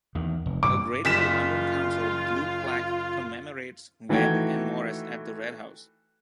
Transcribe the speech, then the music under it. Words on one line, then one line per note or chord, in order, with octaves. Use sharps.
A Greater London Council blue plaque commemorates Webb and Morris at the Red House.
E2 D#3
F1
G2 A#2 C#3 D6
F#1 F4 B6 E7
D#3 E3 A3 F#4 G5 G#6